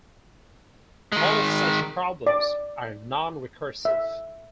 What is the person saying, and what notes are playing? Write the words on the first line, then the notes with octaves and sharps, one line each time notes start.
All such problems are nonrecursive.
D#3 G#3
D5
E5